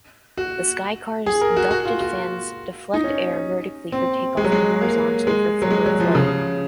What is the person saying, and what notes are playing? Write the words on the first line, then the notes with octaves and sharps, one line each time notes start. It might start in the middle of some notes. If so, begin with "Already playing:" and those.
The Skycar's ducted fans deflect air vertically for takeoff and horizontally for forward flight.
F#4
G#4
A#4
F#4
F#4
F4
F#4
D#4
C#4
C4
G#3
F#3
G#3
A#3
G#3
F#3
G#3
F#3
F3
C#3